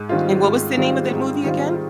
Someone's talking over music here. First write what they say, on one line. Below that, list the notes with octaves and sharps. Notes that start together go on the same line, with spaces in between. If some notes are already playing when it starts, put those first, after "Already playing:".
And what was the name of that movie again?
Already playing: G#2
D#3 G3 C4 F4
G#2
D#3 G3 C4 F4
G#2
D#3 G3 C4 F4